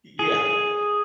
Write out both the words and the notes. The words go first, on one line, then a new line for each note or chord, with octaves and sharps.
Y yeah.
G#4